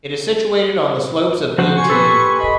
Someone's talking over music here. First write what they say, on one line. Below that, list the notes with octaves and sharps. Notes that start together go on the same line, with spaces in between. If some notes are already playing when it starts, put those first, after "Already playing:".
It is situated on the slopes of Beentee.
F3 F#4 C5
G#5 C6 C#6
G4 A4 B4
D#5 B5